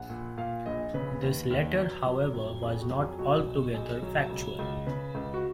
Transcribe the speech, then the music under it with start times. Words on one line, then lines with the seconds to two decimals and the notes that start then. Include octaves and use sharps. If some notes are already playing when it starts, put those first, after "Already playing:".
This letter, however, was not altogether factual.
Already playing: A#1 F#5
0.10 A#2
0.37 A#2 F5
0.66 A#1 D#5
0.94 C#3 B4
1.22 D#2
1.50 D#2
1.79 F#3
2.07 F#3
2.34 F2
2.62 F2 G#4
2.81 F#4
2.91 F#3
3.00 G#4
3.19 B1 F#4
3.46 B1
3.74 B1 G#4
4.03 F#3
4.30 C#2
4.59 C#2
4.86 C#3 B4
5.15 C#2
5.34 F#4